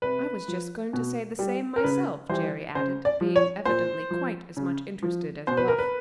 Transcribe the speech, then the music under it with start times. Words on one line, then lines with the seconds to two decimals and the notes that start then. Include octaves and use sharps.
"I was just going to say the same myself," Jerry added, being evidently quite as much interested as Bluff.
0.02 C3 B4
0.48 F3
0.93 B2
1.39 G3
1.76 A#4
1.84 C#3 B4
2.29 E3 G3 C5
2.75 C#3 C5
3.05 D5
3.21 F3
3.36 C#5
3.65 A#2 C5
4.11 F3
4.57 C#3
5.03 F3
5.47 B2 C5
5.57 B4
5.68 A#4
5.79 B4